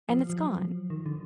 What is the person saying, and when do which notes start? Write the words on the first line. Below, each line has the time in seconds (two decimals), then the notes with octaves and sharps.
and it's gone."
0.10 F3
0.30 F3
0.43 F#3
0.56 F3
0.90 D#3
1.06 D3